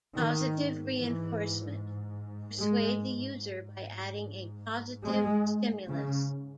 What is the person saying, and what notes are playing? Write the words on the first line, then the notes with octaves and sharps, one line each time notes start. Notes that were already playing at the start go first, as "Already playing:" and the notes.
Positive Reinforcement: Persuade the user by adding a positive stimulus.
G#2 D#3
E3
G#3
G#2
G#3
C#3